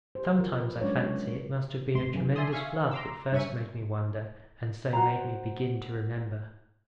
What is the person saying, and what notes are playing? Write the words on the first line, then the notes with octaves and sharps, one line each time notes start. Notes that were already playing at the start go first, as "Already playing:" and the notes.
Sometimes I fancy it must have been a tremendous flood that first made me wonder, and so made me begin to remember.
G4 C5
F3 F#3 F4 A#4
B4
F#3 G#3 C#4 D4 C#5 D5
G#1 D2 C3 C6
F#2 C#3 E3
D5 E5 G#5 A5 C6 D#6
E5 F5 G#5 C#6
A#5 C6 D6 E6
G2 C#4 E5 C#6 D#7
F#4 C5 A#5